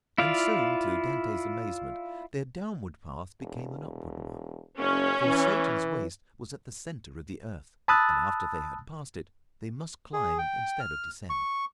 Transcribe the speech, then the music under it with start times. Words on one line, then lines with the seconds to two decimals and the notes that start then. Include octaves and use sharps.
And soon, to Dante's amazement, their downward path became an upward one, for Satan's waist was at the center of the earth and after they had passed it they must climb instead of descend.
0.18 E4 F4 D5 F5
3.40 E1
4.79 F#1 C#4
5.26 E3
7.88 A5 B5 D#6 E6 F#6 A6
10.13 G#4
10.38 G5
10.80 F6
11.30 C#6